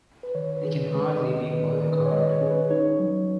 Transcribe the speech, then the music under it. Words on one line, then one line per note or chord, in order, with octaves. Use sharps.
It can hardly be called a card.
B4
D#3 C#5
B4
D#3 G#4
G#3 B4
C#4 D#5
D#3 B4
G#4
D#3
B4
C#5
G#3 D#5
C#5
C#4 G#4
B4
D#4 C#5
F#3